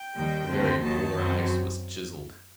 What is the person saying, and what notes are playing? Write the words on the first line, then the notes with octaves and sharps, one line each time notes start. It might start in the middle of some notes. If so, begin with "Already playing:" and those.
The very Polar ice was chiseled.
Already playing: G5
D#2 D#3 G3 A#3
D#2 D3 A3 C4
D#2 D#3 F#3 A#3 A5
F#2 F#3 C4